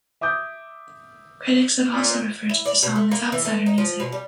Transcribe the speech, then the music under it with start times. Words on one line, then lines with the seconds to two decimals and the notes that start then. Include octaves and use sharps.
Critics have also referred to the song as outsider music.
0.21 E5 D6 D#6 G6
1.92 A#2
2.50 E4
2.66 D5
2.83 B2
2.96 A3
3.12 A#3
3.32 E3
3.45 A3
3.66 D#4
3.78 F3
4.00 B2
4.12 G3